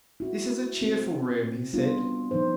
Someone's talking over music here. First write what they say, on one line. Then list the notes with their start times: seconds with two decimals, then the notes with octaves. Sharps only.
"This is a cheerful room," he said.
0.20 E4 F#4
0.81 C4
1.73 G3 B3 C#4 D4 F4
2.31 D#3 F3 D#4 C5